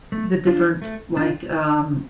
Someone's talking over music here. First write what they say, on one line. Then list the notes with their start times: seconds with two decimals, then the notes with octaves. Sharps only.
the different, like, um
0.12 A3
0.47 D4 F4
0.82 A3
1.17 D4 F4